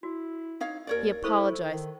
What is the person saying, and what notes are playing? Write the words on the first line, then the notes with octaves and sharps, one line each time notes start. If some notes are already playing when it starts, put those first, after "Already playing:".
He apologized.
E4 F#4
D#4 C#5 F5
D#2 A#4 C#5 D5
E4 A4 C5 C#6
D#3